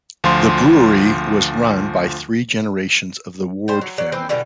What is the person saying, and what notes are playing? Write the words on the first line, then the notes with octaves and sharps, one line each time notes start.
The brewery was run by three generations of the Ward family.
D2 F3 F4 C6
G3 C5
F#3
F#3 D5
E3 C4
B2 D3 E3 G3